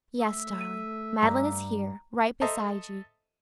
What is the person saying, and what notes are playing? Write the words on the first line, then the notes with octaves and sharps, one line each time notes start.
Yes, darling, Mad'len is here--right beside you.
A3 E5
D#7
G2 A#5
A4 C5 D#5 E5 A5 A#5